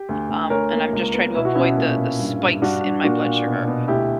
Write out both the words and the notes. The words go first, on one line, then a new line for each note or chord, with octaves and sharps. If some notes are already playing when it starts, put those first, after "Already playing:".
um, and I'm just trying to avoid the the spikes in my blood sugar.
Already playing: G4
D2
D2
D2 A#4 C#5
A#3
C#2
B3
B2 E4
F#4
B2 C#4 E4
A#2
A#2
G2
G2
G2 D4 F#4
G2
A#2 D4 F#4
A#2
B2
B2
D2 E4 G4